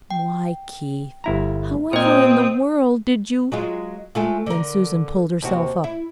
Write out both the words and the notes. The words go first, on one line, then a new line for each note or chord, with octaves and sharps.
"Why, Keith, however in the world did you--" Then Susan pulled herself up.
G5
G1 E4 A#5
A#2 C4 C5 D#5 D#6
F#3 G#3 F4
G#3 A3 F4
D3 A#4
D#2 C3 F#4
E4